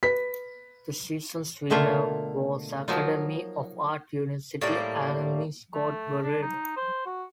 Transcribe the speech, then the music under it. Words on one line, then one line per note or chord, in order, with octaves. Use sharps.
The season's winner was Academy of Art University alumni Scott Borrero.
B4 B6
B2 D3 A3 A#3 F4 E5
F3 F#3 A#3 D#4 F4
A2 G3 A#3
A3
D4
D#4
C5
F#4